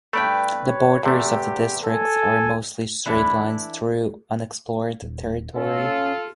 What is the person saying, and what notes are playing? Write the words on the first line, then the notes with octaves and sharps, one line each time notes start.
The borders of the district are mostly straight lines through unexplored territory.
G2 A3 B4 D5 G5
C#5
E2 C3 A3 G4
A4 G#5
E3 D4 E4 A4
D#1
C#4 F4 A4